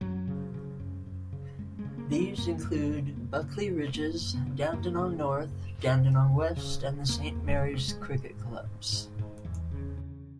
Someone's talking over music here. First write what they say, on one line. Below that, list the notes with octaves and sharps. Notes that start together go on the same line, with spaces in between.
These include Buckley Ridges, Dandenong North, Dandenong West, and the Saint Mary's Cricket Clubs.
F#2 F#3
C#3
C#3
F#2
F#2
C#3
F#2 G#3
G#3
C#3
A#3
C#3 A#3
B3
F#2 A#3
F#2
G#3
C#3
F#2 A#3
C#3
G#3
C#3
F#2 A#3
F#2
B3
C#3
F#2 A#3
C#3
C#3
F#2
F#2
C#3
E2
C#3
C#3
E2 A#3
E2
G#3
C#3
G#2 G#3
G#2
G#2
G#2
G#2
G#2
E2 E3
C#3
C#3